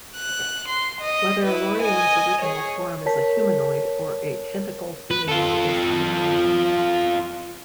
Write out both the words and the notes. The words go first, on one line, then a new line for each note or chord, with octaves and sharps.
Whether Lorien's original form is a humanoid or a tentacled being is unknown.
F#6
C6
D#5
E4 B4
D#5 G#5
G#4 C#5
A#4 C#5 A5 B6
B4
F4 A4